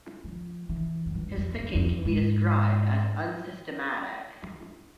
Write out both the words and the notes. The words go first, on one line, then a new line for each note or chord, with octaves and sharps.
His thinking can be described as unsystematic.
F3
E3
F2
G2
F2
E2
F2
G#2